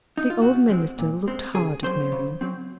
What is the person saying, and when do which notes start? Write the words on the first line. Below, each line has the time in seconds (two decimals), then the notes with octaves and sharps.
The old minister looked hard at Marian.
0.17 D#4
0.30 F4
0.41 A#2 F#4
0.70 G#3 C4
0.99 A#2
1.28 G#3 C4
1.55 C#3 G#4
1.83 F#3 C4 C5
2.12 C#3
2.41 F#3 C4